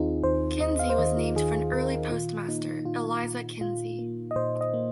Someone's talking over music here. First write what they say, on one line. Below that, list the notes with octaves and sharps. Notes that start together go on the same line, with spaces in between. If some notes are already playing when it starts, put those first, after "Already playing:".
Kinsey was named for an early postmaster, Eliza Kinsey.
Already playing: D#2 D#3 C4 D#4 F4 G#4
D#2 C5
D#2 D#5
F5
C5
D#3 D#5
F4
D#3 G#4
D#3 A#4
A#2 F4
A#3 D#4
A#2 F4
A#2
A#2 F4
A#3
D#5
A#2 C5
D#5
A#3